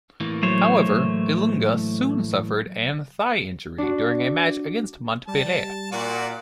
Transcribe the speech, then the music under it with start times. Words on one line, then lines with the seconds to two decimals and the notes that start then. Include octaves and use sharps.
However, Ilunga soon suffered an thigh injury during a match against Montpellier.
0.20 A2 E3 A#3
0.43 F#3 A3 C5 C#5
3.78 D4 F#4
5.27 G3 A5
5.92 A#2 F#4 D5 F#5 F#6